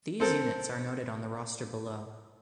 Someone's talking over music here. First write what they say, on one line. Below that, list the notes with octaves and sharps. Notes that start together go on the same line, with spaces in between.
These units are noted on the roster below.
C4 A4 A#4